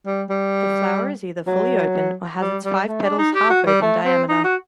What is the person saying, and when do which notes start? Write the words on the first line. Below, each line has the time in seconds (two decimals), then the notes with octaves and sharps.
The flower is either fully open or has its five petals half open diameter.
0.07 G3
0.30 G3
1.47 F#3
2.41 G3
2.65 G3
2.88 A3
3.04 D4
3.19 D#4
3.35 G4
3.50 F#4
3.67 G3
3.82 A3
4.05 C4
4.29 D#4
4.44 F#4